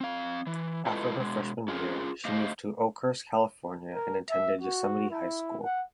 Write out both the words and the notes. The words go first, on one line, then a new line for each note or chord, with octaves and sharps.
After her freshman year, she moved to Oakhurst, California and attended Yosemite High School.
C4 F5
E3
G#3 E4 F4 A4 B4 D#5
B2 G#3
C#4 F4 G#4 A#4
A3 G4 C5 D#5 F5
A#4
E5
F#4
E4
F#5